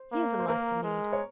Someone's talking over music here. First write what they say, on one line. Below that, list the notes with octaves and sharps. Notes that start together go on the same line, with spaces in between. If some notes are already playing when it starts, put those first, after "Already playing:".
Here's a life to lead!
Already playing: C5
A#3
C5
A#3 A#4
G#3
C#5